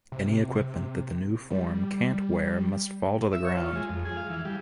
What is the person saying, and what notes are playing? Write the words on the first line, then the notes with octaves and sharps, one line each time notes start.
Any equipment that the new form can’t wear must fall to the ground.
C3
G3
E5
C#5
F4
G#3
F2
G#4
F5
E3
G3